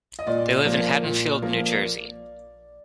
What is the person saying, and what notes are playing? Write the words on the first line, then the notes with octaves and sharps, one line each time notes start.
They live in Haddonfield, New Jersey.
D#5
A#2 D5
F3 A#3
A#2
F3 A#3